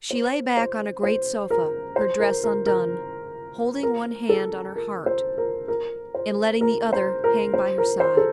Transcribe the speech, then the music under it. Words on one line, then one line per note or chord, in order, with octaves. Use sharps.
She lay back on a great sofa, her dress undone, holding one hand on her heart, and letting the other hang by her side.
C5
C5
C5
A#4
C5
A#4
A#4
A#4
A#4
A4
A#4
C5
A#4
A#4
C5
A#4
C5
A#4
C5
A#4
C5
A4